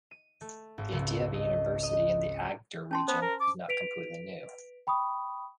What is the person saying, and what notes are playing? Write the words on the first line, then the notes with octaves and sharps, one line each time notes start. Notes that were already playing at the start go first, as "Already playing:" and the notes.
The idea of a university in the Agder region is not completely new.
D#7
A3
G#1
C#2
D#5
D#5
C#7
C#4 A5 C6
B3 C5 A5
A#4
D6
B4 B6 D7 F7
G5 B5 C#6 D#6